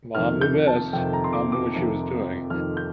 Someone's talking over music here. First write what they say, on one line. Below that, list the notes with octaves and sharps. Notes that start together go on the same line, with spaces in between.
Mom knew best. Mom knew what she was doing,
F2 C3 D#3 F6
G6
A5
F2 C3 D#3 G5
A#5
C6
D6
D6
F2 C3 D#3
F2 C3 D#3 F6
G6